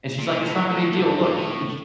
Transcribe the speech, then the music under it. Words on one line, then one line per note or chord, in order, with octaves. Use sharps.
And she's, like, "It's not a big deal. Look. He he
A#2
A2
A2
A2
G2
G2
A2